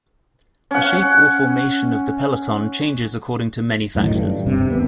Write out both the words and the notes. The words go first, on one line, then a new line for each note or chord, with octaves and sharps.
The shape or formation of the peloton changes according to many factors.
C#4 F#5
F#2 A2 D3 D#3
G2
G2 C3
D#1 F2 A#3 B3